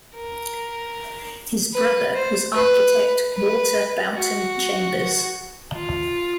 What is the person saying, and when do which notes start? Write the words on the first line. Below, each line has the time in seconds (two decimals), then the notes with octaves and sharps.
His brother was architect Walter Boughton Chambers.
0.15 A#4
1.74 B4
2.14 C5
2.54 B4
3.34 B4
4.14 F#4
5.74 F4